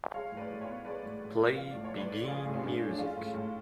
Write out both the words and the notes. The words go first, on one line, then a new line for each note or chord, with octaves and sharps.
Play biguine music.
G#3 C#5 F5
A2
B4 D5
A2
C#5 F5
B3
G#3 B4 D5
A2
A2
B3
F3 F5
A2 D5
C#5
A2
B4 D5
A3
F3 F4 G#4
A2
C#4
A2 D4
A3
D4
G#3 C#4 F4
A2
A2